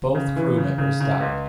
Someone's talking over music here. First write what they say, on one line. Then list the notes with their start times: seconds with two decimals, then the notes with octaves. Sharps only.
Both crew members died.
0.15 C#3
0.36 E3
0.57 C#3
0.78 C#3
1.00 C#3
1.21 C#2